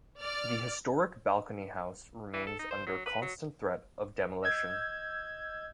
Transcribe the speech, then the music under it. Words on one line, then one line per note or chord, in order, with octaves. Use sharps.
The historic Balcony House remains under constant threat of demolition.
D5 F6
E3
A4
D#4
C5
F#3
B4
F#3
D#5 E6 G6 G#6